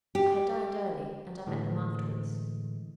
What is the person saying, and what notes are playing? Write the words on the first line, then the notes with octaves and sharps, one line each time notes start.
I had dined early; and I met them afterwards.
G4
A2 D3 E3 G#3